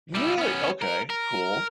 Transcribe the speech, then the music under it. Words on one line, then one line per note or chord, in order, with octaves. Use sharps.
Really? Okay, cool.
G3 E4
B3 C#4
A#4
A#4